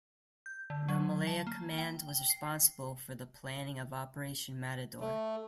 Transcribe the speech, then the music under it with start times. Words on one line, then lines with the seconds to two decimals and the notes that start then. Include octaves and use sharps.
The Malaya Command was responsible for the planning of Operation Matador.
0.46 G6
0.70 D3
0.88 F#3
1.27 A5
1.47 A#3
1.78 G5
2.09 G5
2.30 C7
5.00 A3